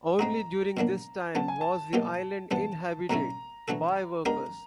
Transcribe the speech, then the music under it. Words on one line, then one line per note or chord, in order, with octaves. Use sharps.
Only during this time was the island inhabited, by workers.
G#3 C4 D#4 F#4 A#5
B2 F#3 A#3 D4
C#3 F#3 B3 A5
G#5
A5
B2 F#3 A#3 D#4 G4
C3 E3 G3 B3 A5
B2 F#3 A3 C#4 E4 A#5
E3 A3 D4 F#4 A4
G#3 B3 D4 G4 A#4 A#5